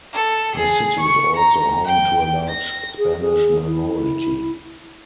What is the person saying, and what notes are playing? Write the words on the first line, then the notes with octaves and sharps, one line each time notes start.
The city is also home to a large Spanish minority.
A4
G#4
C#6
A#5
G5
A#6
G#4
G#4
E4